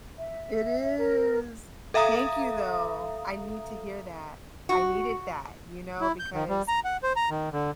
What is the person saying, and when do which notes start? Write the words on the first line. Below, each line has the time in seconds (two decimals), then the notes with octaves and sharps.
It is. Thank you though. I need to hear that. I needed that, you know, because
0.17 E5
0.98 A#4
1.94 A4 E5 F5 A#5 D#6
4.69 F#4
6.01 E4
6.19 G6
6.34 D#3
6.49 G3
6.68 A#5
6.85 F#5
7.03 C5
7.16 A#5
7.30 D#3
7.52 D3